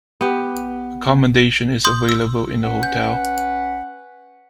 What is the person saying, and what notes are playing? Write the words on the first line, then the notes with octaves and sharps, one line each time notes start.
Accommodation is available in the hotel.
B3 G4
C6 D#6 G6
E6
C#4 B4 F#5
G6